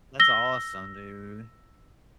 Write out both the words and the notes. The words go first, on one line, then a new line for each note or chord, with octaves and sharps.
That's awesome, dude.
E6 A#6 G7